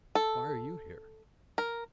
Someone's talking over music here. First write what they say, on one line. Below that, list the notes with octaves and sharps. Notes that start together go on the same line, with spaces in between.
"Why are you here?"
A4
A#4